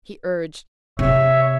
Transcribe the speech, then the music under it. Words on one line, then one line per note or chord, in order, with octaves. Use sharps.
He urged.
C3 C#5 E5